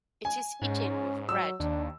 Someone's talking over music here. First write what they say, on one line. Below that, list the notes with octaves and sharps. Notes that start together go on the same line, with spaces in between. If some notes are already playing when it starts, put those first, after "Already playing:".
It is eaten with bread.
G#5
G#2 C#4
F#3 E6
D#2 D4